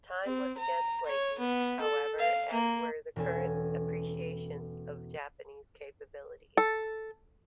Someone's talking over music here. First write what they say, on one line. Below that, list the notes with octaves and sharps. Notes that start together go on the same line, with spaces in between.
Time was against Layton, however, as were the current appreciations of Japanese capabilities.
C4
A#5
C#5
B3
A4
F5
A#3
E1 C#4 A4 G#5
A4